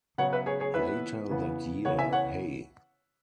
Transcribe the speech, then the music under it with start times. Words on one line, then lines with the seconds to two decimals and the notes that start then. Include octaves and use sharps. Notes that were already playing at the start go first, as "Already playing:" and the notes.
Later that year, Hey!
0.18 C#3 F#3 B3 C#5 F#5
0.33 B4 E5
0.46 G#4 C#5
0.60 G#4 C#5
0.74 E3 B3 B4 E5
1.30 C#3 E3 B3
1.85 C#3 E3 B3 C#5 F#5
1.98 E5 G#5
2.13 C#5 F#5